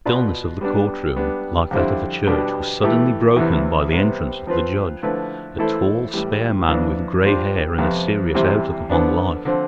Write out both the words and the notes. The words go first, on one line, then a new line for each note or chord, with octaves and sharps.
The stillness of the court room, like that of a church, was suddenly broken by the entrance of the judge, a tall, spare man, with gray hair and a serious outlook upon life.
B2 B3 F4 B4 D5
G3 B3 D4
G3 B3 D4
F2 D3 G3 C4 E4
B2 G3 B3 D4 G4
E3 A3 E4 G4
E2 C3 E3 B3
C3 G3 B3
F3 C4 F4 B4
D3 F3 A3 E4 B4
E3 A3 E4 A4 C5
A2 E3 G3
F2 E3 B3 D4
G3 D4 F4 C5
F2 C3 F3 B3
E2 C3 G3 C4
D3 F3 B3 D4
D3 F3 C4